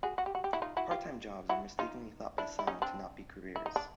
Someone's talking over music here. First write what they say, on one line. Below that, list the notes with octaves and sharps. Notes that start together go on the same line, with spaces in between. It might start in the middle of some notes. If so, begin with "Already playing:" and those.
Part-time jobs are mistakenly thought by some to not be careers.
F#4 G#4
F#4
G4
F#4
G4
E4 F#4
D#4 F4
E4 F#4
F4 G4
E4 F#4
D#4 F4
D4 E4
E4
C#4 D#4
C4 D4
E4
D#4
D4